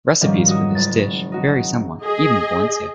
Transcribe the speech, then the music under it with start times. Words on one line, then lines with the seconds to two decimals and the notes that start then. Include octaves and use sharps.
Recipes for this dish vary somewhat, even in Valencia.
0.21 G#2 D#3 F3 G3 C#4
0.48 D#4 F#4 D#6
0.75 F#1 A6
1.32 D#4 F#4
2.03 G#4 D#5